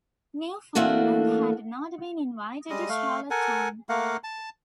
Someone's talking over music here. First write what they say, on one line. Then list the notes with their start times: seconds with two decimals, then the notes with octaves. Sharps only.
Newfoundland had not been invited to Charlottetown.
0.75 D3 E3 A3 A#3 F#4 A4
2.70 G3 G#3 D#5
2.89 A3 F5
3.30 A4 A#4 F#5 G#5
3.89 A3 A#3 F5 F#5
4.24 A5